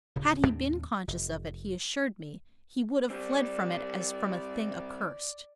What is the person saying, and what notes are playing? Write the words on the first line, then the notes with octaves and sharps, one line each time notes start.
Had he been conscious of it, he assured me, he would have fled from it as from a thing accursed.
D1 C#3
D#2 A2 C4 D4
F1
G3 C4 D5